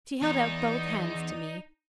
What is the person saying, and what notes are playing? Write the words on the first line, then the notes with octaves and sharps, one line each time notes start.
She held out both hands to me.
E2 D#4 D5 D#6